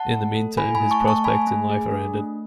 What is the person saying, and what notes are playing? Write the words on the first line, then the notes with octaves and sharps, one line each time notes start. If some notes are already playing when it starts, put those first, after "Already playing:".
In the meantime his prospects in life are ended.
Already playing: F#5 A5
A3
A4
E4 G#5 B5
G#5 B5
A3
A5 C#6
A3
A5 C#6
A3 G#5 B5
A3
G#4
D4
A3